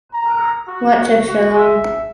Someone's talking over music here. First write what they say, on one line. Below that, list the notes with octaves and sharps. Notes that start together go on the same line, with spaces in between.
What took so long?
A#5
F#4
F#4
E5